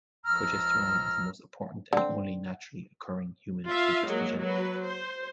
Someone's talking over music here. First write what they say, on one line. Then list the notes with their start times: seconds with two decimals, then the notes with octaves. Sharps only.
Progesterone is the most important and only naturally occurring human progestogen.
0.25 C#2 F3 A#5 E6 F6
1.93 D3 C4
3.68 F4 E5 F5
4.07 F#3 G#3 A#3
4.43 F#3 B4
4.82 C5